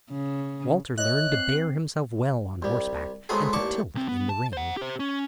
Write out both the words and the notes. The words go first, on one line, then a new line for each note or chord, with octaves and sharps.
Walter learned to bear himself well on horseback and to tilt in the ring.
C#3
C#5 D#5 E5 F#6
C4 C7
C2 G3
F#3 G#3 A3 B3 C4 G#4
A1 D#2 D5 A5 C#6 D6
C2 C4
B3
A5
C5 F#5
G4 C5
C#4